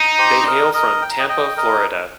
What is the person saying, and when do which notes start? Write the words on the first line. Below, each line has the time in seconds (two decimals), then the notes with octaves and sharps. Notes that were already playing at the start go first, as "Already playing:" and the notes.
They hail from Tampa, Florida.
Already playing: D#4
0.19 G4 C5
0.47 A#4 D#5
0.74 A#4 D#5
1.02 G5
1.10 A#5
1.18 D#5 G5
1.29 D#5 G5
1.57 A#4 D#5